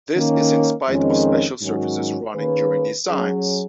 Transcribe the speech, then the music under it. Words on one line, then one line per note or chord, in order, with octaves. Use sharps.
This is in spite of special services running during these times.
D#3 A#3 C#4
F2 D#3 G#3 C#4
G#2 D#3 F#3 C#4 F#4
D#3 A#3 C#4 G#4 B4
F#3 C#4 G#4